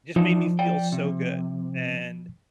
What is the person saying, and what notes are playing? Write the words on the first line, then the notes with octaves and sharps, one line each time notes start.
just made me feel so good. And
E3 F3 D4 D#4
D5 G5
C3